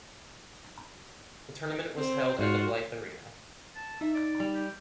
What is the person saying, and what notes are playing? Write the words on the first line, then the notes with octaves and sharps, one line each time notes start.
The tournament was held at the Blyth Arena.
C4
G#2 F4 F#4
A5
D#4 E5
D5
G3
G4